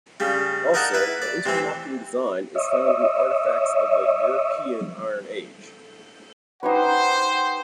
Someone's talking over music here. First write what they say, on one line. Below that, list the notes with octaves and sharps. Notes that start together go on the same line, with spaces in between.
Also, the interlocking design is found in artifacts of the European Iron Age.
C#3 G3
D#4 A#4 D5 F#5 A5
E4 B4
D5
C3 E3 C4
C#5 D#5 E5
D#4 G4 B4 C5 F#5